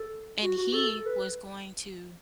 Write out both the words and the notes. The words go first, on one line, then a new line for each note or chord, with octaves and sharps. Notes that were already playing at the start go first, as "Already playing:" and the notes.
and he was going to
Already playing: A4
F#4
F#4
A4
A4
B4